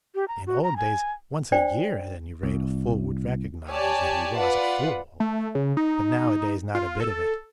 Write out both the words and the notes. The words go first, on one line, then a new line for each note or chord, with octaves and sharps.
In old days, once a year at any rate a fool would recognise that he was a fool, but nowadays not a bit of it.
G4
A#5
F#4
A#5
G#5
D4 C5 D5 G5
C2
G4 C#5 D5 G#5 A5
F4 B4 D5 F#5
A3
C#3
D#4
F4
A4